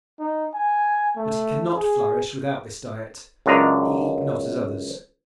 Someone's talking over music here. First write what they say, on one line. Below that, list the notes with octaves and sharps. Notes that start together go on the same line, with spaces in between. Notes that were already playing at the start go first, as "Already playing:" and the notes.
But he cannot flourish without this diet; he eat not as others.
D#4
G#5
A3
G#4
C#2 F#2 D4 D#5 A#5